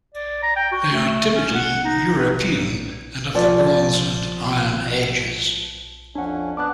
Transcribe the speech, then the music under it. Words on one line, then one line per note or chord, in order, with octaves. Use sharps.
They are typically European and of the Bronze and Iron Ages.
D5
A#5
G5
F#4
A3
C#4
F#5
D#4
B4
F3 D5
F2 C#4 D4 F#5
B3 D4 D6 F#6